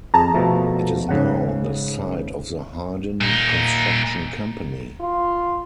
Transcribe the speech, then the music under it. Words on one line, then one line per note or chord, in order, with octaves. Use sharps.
It is now the site of the Hardin Construction Company.
F2 G#4 A5 A#5
B2 F3 A3
G#2 C#3 F#5
A#2 D#4
F4